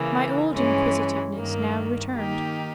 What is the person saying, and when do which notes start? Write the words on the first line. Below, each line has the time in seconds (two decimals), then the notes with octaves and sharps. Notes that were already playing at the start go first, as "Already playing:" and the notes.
My old inquisitiveness now returned.
Already playing: C#3 E3 A#3
0.52 G2 E3 G#3 C#4
1.33 G2 D#3 A#3
2.15 D#3 A#3 D#4 G4